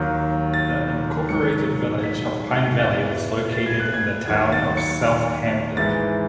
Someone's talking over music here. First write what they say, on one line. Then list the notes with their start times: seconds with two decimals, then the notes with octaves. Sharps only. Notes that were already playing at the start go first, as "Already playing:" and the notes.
The Incorporated Village of Pine Valley was located in the Town of Southampton.
Already playing: D#2 D#3 F#3
0.54 A6
1.29 G#2 D#3 F#3 C#7
2.03 B6
2.78 E2 C#3 E3 A6
3.52 A6
3.66 G#6
3.80 F#6
3.94 G#6
4.28 D#2 D#3 F#3 G#6
4.52 A6
4.77 C#7
5.77 G#2 E3 A6